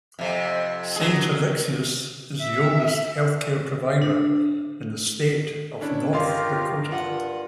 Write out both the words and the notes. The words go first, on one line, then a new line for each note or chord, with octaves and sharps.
Saint Alexius is the oldest healthcare provider in the state of North Dakota.
F2 C3
F#3 G#4
E5
D4
C#4 D4 E4
G1 F4 G4 A#4 F5 C6
G2 F4 F#5